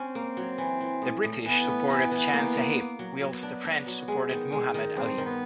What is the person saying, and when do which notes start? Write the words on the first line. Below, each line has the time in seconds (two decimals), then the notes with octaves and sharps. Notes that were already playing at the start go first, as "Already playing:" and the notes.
The British supported Chand Sahib, whilst the French supported Muhammed Ali.
Already playing: C4 C#4
0.15 A#3
0.37 F#3
0.58 E3
0.80 E3
1.02 A2
1.24 A2
1.46 E3 B3
1.68 A2
1.90 E3
2.11 E3
2.33 A#3
2.56 A#3
2.77 A#3
2.99 F#3
3.21 F#3 B3
3.43 D4
3.65 D4
3.87 F#3
4.08 G#3
4.31 D#3
4.52 G#3
4.74 D#3
4.96 G2 C4
5.18 D#3
5.25 B3